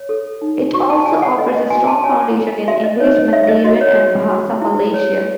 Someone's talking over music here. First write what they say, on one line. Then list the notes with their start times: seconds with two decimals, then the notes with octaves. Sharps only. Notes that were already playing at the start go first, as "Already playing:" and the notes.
It also offers a strong foundation in English, Mandarin and Bahasa Malaysia.
Already playing: C#5
0.09 A4
0.42 D#4
0.73 F#4 C#6
0.90 A5
1.06 C#5 G#5
1.22 F#5
1.38 A4 D#5
1.54 D#5
1.70 F#4 G#5
1.87 A5
2.04 C#5 G#5
2.36 A4
2.68 F#4 E5
2.84 D#5
3.00 D#4 C#5
3.17 D#5
3.32 C#5 E5
3.43 E5
3.48 D#5
3.64 F#4 D#5
3.81 C#5
3.97 C#5
4.29 F#4
4.62 E4
4.94 C#5